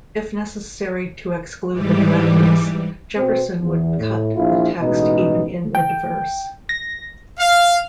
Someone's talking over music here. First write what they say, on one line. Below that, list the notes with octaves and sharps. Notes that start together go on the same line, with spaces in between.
If necessary to exclude the miraculous, Jefferson would cut the text even in mid-verse.
G#2 E3 G3 G4
B2 C4
E2
A2
A#1 E4 F4
A1 B2 G#3 B3 D#4
G5
A#6
F5